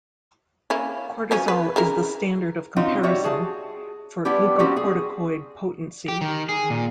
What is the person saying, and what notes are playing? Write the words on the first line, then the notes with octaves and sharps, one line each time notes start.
Cortisol is the standard of comparison for glucocorticoid potency.
A#3 C#4 E4
F3 F#3 C#4
B4
C#3 E4 A#4
C4 C#4 D#4 F4 F#4
G3 F#4 C#5 E5
F#4 G#4 A5
G3 B3 D4 E4 G4
G3 A#3 C4 C#4 F#4 G4
G#4
G4
D#3
G#4
A#2